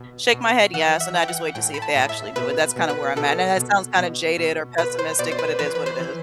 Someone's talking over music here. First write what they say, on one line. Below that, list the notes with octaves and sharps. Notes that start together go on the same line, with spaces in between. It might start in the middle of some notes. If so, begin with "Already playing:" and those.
shake my head "Yes," and I just wait to see if they actually do it, that's kinda where I'm at, and that sounds kinda jaded or pessimistic, but it is what it is.
Already playing: B2
B2
E3 F#5
E5
E3
G5
F#5
A2 G5
B5
A5
A2
E5
B2 B4
B2
B4
B2 A4
B2
B2
B2
B2 B4
C5
B2 D5
C5
B4
E3 B4
B4
C5
E3